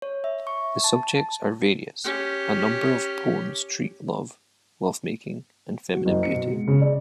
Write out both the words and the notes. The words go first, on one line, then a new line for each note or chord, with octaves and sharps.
The subjects are various: a number of poems treat love, lovemaking, and feminine beauty.
C#5
E5
C#6
A5
A5
C#4 G4
F#4
F#1
C#7
B2
G#3
C#3
D5